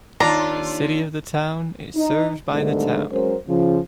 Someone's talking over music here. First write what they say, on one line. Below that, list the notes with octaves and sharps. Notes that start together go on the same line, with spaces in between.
The city of the town is served by the town.
D#2 D4 F4 A#5
D#4
G#2 B2 D3 D#3 G3 A3
F#3 G#3 C#4 A#4 C5
C#3 F3